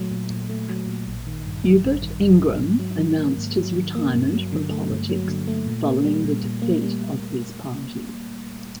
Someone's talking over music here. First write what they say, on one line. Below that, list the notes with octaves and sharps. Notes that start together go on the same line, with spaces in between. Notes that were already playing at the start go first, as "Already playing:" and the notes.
Hubert Ingraham announced his retirement from politics following the defeat of his party.
Already playing: A#2 F#3 A3
A#2
A#2
A3
F#3
A#2
A1
D#3
G2
G3
A1
D#3
G2
G3
G#2
F#3
D#3
A#3
G#2
F#3
D#3
A#3
G2
F#3
D3
A3
G2
F#3
D3
A3
A#2
A#3
G3
A#2
A#2
A#3
G3